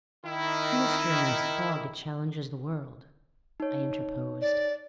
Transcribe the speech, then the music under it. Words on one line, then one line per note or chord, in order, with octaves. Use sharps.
'If mystery means fog, it challenges the world,' I interposed.
D#3 E4
D#4 C#5
D5